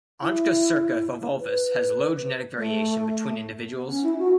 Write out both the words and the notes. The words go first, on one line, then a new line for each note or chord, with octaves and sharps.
"Onchocerca volvulus" has low genetic variation between individuals.
E4
B4
A3
B3
C#4
E4
F#4